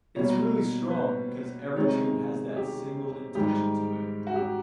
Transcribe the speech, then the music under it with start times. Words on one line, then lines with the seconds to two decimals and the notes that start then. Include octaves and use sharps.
It’s really strong because every tune has that single intention to it.
0.16 B2 G3 A#3 C#5
0.90 B4
0.96 C5
1.76 C3 D#3 G#3 C#5
2.56 G4
3.35 G#2 D#3 G3 G4
4.27 F#4
4.36 G4